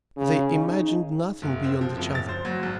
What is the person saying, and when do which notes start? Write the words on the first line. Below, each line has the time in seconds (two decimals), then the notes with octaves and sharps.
They imagined nothing beyond each other.
0.17 C#3
0.52 D#4
1.42 F#1
1.64 C4
1.81 F3
1.97 F#1
2.15 A6
2.29 C5
2.45 F#3
2.63 G#1